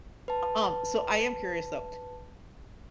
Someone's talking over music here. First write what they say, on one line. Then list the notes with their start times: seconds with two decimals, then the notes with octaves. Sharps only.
Um, so I am curious though,
0.28 B4 A5